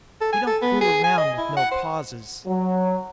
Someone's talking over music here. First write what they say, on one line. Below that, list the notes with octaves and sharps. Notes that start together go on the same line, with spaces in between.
He don't fool around with no pauses.
A4
G#5
A4
B3
G#4
G#5
D#5
E4
F#5
C5
F#3